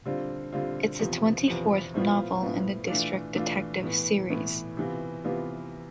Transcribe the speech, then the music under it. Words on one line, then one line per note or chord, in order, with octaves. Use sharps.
It’s the twenty-fourth novel in the District detective series.
D3 G3 C4 F4
D3 G3 C4 F4
E2 C3 F3 B3
E2 C3 F3 B3
A2 F3 B3 F4
A2 F3 B3 F4
E3 A3 D4 F4
E3 A3 D4 F4
A2 E3 B3
A2 E3 B3
C3 E3 B3 F4
C3 E3 B3 F4